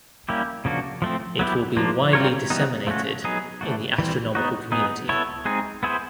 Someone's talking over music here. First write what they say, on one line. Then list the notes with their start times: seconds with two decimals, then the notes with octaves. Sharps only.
It will be widely disseminated in the astronomical community.
0.29 G3 A#3 C#4 E4 G4
0.65 C#3 F3 A#3 D4 F#4
1.02 F3 A3 C4
1.39 F#3 B3 E4 G4
1.77 F3 A#3 D4 F4
2.13 G3 C4 F4 A#4 C#5
2.50 E3 G3 B3 D#4
2.87 F3 A3 C#4 F#4
3.24 F#3 B3 D#4 G#4
3.61 E3 A3 D4 F#4
3.98 E3 G3 C4
4.35 B3 D#4 F#4
4.72 B3 D#4 G#4
5.09 B3 E4 A4 C#5
5.45 G#3 C4 D#4 G#4
5.83 B3 E4 G#4 C5